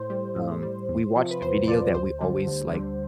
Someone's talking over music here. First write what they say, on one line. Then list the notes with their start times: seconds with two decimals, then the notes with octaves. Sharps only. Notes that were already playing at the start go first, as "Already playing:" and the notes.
um, we watched a video that we always, like,
Already playing: A2 C5
0.10 G3
0.36 A2
0.63 G3
0.89 E2
1.16 C3 F3
1.31 B4
1.42 E2 C5
1.64 C5
1.68 C3 F3 D5
1.94 D2 C5
2.21 D3 G3
2.47 D2
2.74 D3 G3